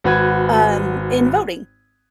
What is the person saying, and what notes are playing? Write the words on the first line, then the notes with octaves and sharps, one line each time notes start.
um, in voting.
G#1 F#4 B4 G#6